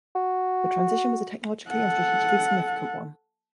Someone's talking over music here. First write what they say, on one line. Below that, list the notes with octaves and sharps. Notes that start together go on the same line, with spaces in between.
The transition was a technologically and strategically significant one.
F#4
A4 F#5